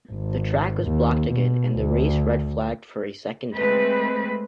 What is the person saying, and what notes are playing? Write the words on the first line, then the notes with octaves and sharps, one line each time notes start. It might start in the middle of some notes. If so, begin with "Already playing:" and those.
The track was blocked again and the race red flagged for a second time.
G#1
D#2
B2
D2
G#3 A3 C4 B4